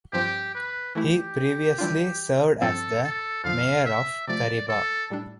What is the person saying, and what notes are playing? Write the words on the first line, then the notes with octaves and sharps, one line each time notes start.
He previously served as the Mayor of Kariba.
G2 F3 C4 G4
B4
E3 A3 E4 G4
E3 G3 D4 F4
G2 F3 C4 A4
A4
F2 D3 F3 F5
E5
C3 F3 A3 D5
A4
A2 G3 D4